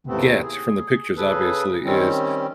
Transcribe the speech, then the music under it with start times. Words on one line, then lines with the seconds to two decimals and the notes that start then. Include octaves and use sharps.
get from the pictures, obviously is,
0.07 D#2 A2 C3 A3 B3 C4
0.42 G#4
1.17 C#3 G#4 A4 B4
1.84 D#3 G3 C4 C#4